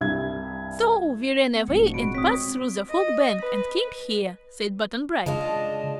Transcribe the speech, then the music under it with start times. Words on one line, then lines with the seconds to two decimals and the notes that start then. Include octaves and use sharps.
"So we ran away and passed through the Fog Bank and came here," said Button-Bright.
0.01 C2 G2 E5 G#6
1.54 B3
1.68 F1 A2 G#3 C4 F#4 C#7
1.80 D4 F4 F#4
1.94 B2 G#3 F#4 B5 D7
2.15 C4 C#5 D#6 B6
2.89 D#5
3.39 B4
5.26 C#3 G#3 D4 F4 D#5 A5